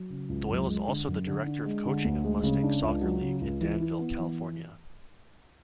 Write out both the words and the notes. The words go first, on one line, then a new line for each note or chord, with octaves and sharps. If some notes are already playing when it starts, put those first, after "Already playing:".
Doyle is also the Director of Coaching of Mustang Soccer League, in Danville, California.
Already playing: F#3
C#3
C#2
F#2
G#3
D3
F#2
D3
D4
G#3
D3
D2
G#3
C#3
D4
C#2
F#3
C#3
C#2
E3
E4
B3
E3